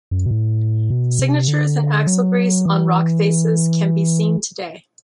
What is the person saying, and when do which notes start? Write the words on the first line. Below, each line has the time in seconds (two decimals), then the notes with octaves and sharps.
Signatures in axle grease on rock faces can be seen today.
0.11 F#2
0.26 B2
0.31 A2
0.90 B2
1.19 C3
1.48 D3
2.07 F#3
2.66 E3